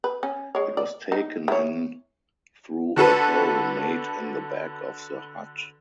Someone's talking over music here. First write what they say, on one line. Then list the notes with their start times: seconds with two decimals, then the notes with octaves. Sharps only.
It was taken in through a hole made in the back of the hut.
0.04 B4
0.23 C#4
0.55 G#3 C#5
0.77 D5
1.12 D#4
1.48 E3 C#5
2.96 D3 F#4 A4 B4